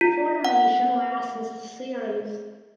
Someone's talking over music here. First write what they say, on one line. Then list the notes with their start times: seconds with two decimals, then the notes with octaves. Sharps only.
Funimation licensed the series.
0.01 F4
0.45 F#5